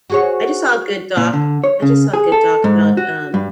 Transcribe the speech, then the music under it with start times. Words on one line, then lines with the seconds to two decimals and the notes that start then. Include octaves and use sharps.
I just saw a good doc I just saw a good doc about, um,
0.10 F#4 G#4 C#5
1.17 A#2
1.33 D3
1.64 C#5
1.82 C#3
2.14 G#4
2.32 A4
2.64 G#2
2.97 F#4
3.34 G2